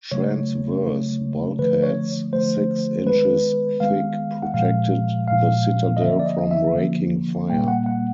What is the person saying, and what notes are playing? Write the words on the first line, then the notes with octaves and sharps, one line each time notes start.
Transverse bulkheads six inches thick protected the citadel from raking fire.
C#3 F#3 A3 C#5
C#3 F#3 A3
D3 F3 A3 B4
C#5
D3 F3 A3 C5
D#3 G#3 B3 B4
D#3 G#3 B3 F5
F#5
A#2 F3 G#3 F5
A#2 F3 G#3 F5
D#5
D3 F3 A#3 E5
D5
D#5
E5
D3 F3 A#3
A#2 G3 A#3 G5
F#5
F#5